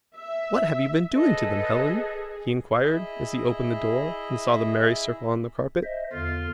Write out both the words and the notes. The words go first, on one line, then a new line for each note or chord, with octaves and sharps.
"What have you been doing to them, Helen?" he inquired, as he opened the door, and saw the merry circle on the carpet.
E5
G#4 A4 B4 D#5
E4 G#4 D#5 E5
C5 D#5 E5
E2 D3 F4